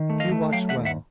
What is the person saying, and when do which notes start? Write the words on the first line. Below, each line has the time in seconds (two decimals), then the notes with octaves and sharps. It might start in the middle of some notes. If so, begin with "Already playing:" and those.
You watch well!
Already playing: D#3
0.10 A3
0.20 D#5 F5
0.31 A3
0.53 F#3 F5 G5
0.69 E5 F#5
0.75 D#2
0.85 E5 F#5